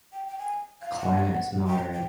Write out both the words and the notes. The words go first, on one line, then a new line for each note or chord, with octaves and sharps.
The climate is moderate.
G5
G5
G#5
F5
F#5
G5
G5